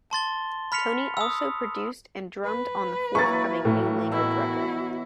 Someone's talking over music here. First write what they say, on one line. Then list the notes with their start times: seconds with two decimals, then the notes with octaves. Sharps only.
Tony also produced and drummed on the forthcoming New Language record.
0.11 A5 C6 A6 G7
0.72 B5 F6 B6 C#7 F7
1.17 D#6 E6
2.44 B4
3.15 E3 F#3 A#3 C#6 A6
3.65 A2
4.12 B2 E4 F#4 E5